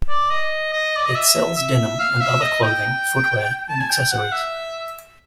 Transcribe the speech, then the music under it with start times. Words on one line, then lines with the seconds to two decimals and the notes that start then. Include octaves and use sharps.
It sells denim, and other clothing, footwear, and accessories.
0.09 D5
0.31 D#5
0.73 D#5
0.97 D5
1.06 D#5
1.15 E5
1.58 E5
2.00 F5
2.21 E5
2.41 D#5
2.63 G5
3.69 A5
3.80 G#5
3.90 G5
4.12 F#5
4.32 E5